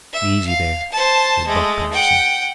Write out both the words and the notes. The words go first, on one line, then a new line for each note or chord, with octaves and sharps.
"Easy there!" said Buck Patterson.
E5
F5
C5 A5
G#3 A3
F#5 G5